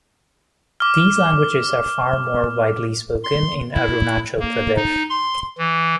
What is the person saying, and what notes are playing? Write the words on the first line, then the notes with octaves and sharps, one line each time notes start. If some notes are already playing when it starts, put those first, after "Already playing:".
These languages are far more widely spoken in Arunachal Pradesh.
D6 F6
C6
E4
A#3
D#4
C6
E3